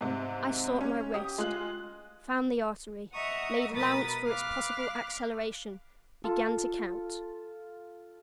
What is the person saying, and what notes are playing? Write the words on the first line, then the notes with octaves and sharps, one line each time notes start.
I sought my wrist, found the artery, made allowance for its possible acceleration, began to count.
G#2 C3
C#4
G4 D#6
G#3 F4 F#6 F#7
D#5 E5 F#5 A#5 C#6 D#6
B2 A#4 B4 B5 D#6 A6
F5 B5 D6 F6 F#6
F4 A4